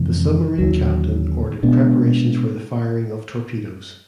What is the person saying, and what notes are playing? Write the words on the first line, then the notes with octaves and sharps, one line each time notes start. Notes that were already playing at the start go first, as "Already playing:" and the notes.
The submarine captain ordered preparations for the firing of torpedoes.
Already playing: F2 C3 E3 G#3
D#2 D3 F#3
B2 G#3 B3 D4